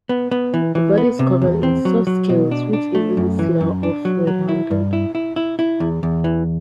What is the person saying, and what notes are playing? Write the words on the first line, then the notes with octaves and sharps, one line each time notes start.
The body is covered in soft scales which easily slough off when handled.
B3
B3
E3
E3
B3
C3
E2
C4
F#3
F#3
B2
D4
D4
A3
F#2
E3
F#2
D4
F#3
F#3
E4
G2
E4
E4
E4
E4
E2
E2
E3